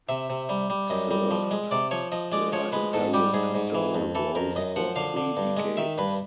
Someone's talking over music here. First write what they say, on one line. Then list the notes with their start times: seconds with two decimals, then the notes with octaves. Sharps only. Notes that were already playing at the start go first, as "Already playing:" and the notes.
He served there in various pastoral roles for three decades.
0.09 C3 E5
0.30 C3
0.49 G3
0.70 G3
0.90 F#2 D#5
1.11 G3
1.31 F3
1.51 G#3
1.71 C3 D5
1.91 F3 C#5
2.12 F3 D#5
2.32 G#3 D5
2.52 F3 C#5
2.72 G#3 B4
2.93 G#2 A4
3.14 G3 G4
3.34 G#2 G#4
3.55 G#2
3.75 E3
3.95 F2
4.15 E3 A4
4.35 F2 A#4
4.56 F#2 D#5
4.76 F3 F#5
4.96 D3 F5
5.16 D3
5.37 G2
5.57 G#3
5.77 D#3 E5
5.98 G2 B4